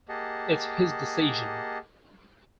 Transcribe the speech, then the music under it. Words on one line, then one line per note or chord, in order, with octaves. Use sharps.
It's his decision.
A#3 G4 G#4 D#5 F#5 A5